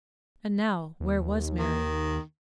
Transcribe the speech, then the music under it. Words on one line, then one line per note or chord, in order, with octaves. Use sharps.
And now, where was Mary?
D#2
D#3